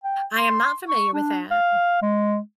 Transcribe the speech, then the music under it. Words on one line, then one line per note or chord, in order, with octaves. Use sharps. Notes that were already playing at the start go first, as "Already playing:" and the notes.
I am not familiar with that. Mm.
G5
C6
C#6
D4
F5
G#3